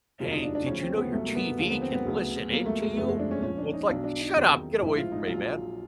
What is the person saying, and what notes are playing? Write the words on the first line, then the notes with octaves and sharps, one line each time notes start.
"Hey, did you know your TV can listen in to you?" It's like, "Shut up, get away from me, man,"
F1 D#2 C#3 F#3 F4
D#4
D4
D4
D2 C#3 F3 C#4
C4
B3
C2 B2 F#3 A3
A#3
B3
D#2 D3 F3 A#3
B3
C4
B3
D2 C#3 F#3
C#2 B2 F#3 A#3
A3
G#3
F#1 E2 C3 F3 A3
G#3
D4
C#4
A#1 A#2 F3 C#4
D4
D#4
B1 B2 F#3 D4
D4
D#4
E2 C3 D#3 F#3
A1 G#2 F3 E4
F4
D#4
A#1 A#2 F#3 F4